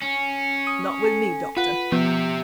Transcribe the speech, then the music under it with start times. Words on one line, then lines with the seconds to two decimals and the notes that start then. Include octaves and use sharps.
'Not with me, Doctor.
0.02 C#4
0.67 D#6
1.04 A4
1.57 F4 B4 F#5
1.92 F3 B3 G4 E5